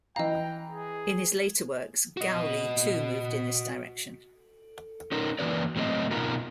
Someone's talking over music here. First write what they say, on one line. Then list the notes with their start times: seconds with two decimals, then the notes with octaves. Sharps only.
In his later works, Gaulli too moved in this direction.
0.16 E3 D#5 F5 G5 A#5
0.70 G#4
2.17 F#4 D#5
5.12 C#4 D#4 A#4
5.39 E3 F3 A#3 F#4 B4 D5
5.76 A2 F#3 C4 A#4 D#5
6.11 B2 B3 D#4 F4 A#4